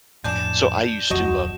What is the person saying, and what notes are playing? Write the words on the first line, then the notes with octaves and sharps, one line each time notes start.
So I used to, um
F2 A2 D3 G#3 D4 G6 E7
D1 F2 D3 F#3 F#4 D#5 C#6